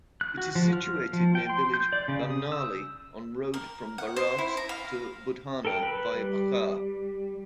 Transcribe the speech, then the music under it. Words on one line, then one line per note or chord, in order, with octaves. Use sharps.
It is situated near village Bamnauli on road from Baraut to Budhana via Puchar.
F#6
F#4
F3
F6
F3
G5
C6
G6
D5
C#3
D#6
E6
A#4
F#5
C5
E4
A#5
F5
A4 A#4 G5
B4 B5
G3